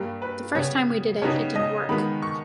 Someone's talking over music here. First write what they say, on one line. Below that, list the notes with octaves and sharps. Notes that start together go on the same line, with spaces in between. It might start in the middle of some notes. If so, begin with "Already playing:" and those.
The first time we did it, it didn't work.
Already playing: G2 G3 A#3
B4
C#3 G3 B3 C#5
C#3 G3 B3 D#4 C#5
D#5
D#3 G#3 B3 B5
C#6